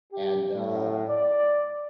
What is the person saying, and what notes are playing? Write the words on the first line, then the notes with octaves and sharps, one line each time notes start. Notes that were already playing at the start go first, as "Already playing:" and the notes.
and, uh
G4
A2
D5